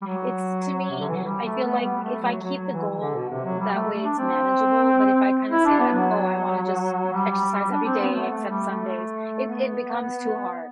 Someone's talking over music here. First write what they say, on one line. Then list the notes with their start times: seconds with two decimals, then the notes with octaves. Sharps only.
it's to me, I feel, like, if I keep the goal that way, it's manageable, but if I kinda say, like, "Oh, I wanna just exercise every day except Sundays," it it becomes too hard.
0.02 G3
0.06 F#3
0.91 C3
0.99 D3
1.08 E3
1.16 F#3
1.24 G3
1.44 A3
1.64 B3
1.83 G3
2.03 A3
2.22 F#3
2.42 F#3
2.56 F#3
2.72 E3
3.00 D3
3.15 B2
3.29 C3
3.45 F#3
3.60 G3
3.74 A3
4.03 D4
4.18 C4
5.50 E4
5.65 D4
5.79 B3
5.94 F#3
7.13 G3
7.71 D4
7.86 C4
8.00 B3
8.15 A3
8.30 A3
8.49 G3
8.69 A3
9.47 B3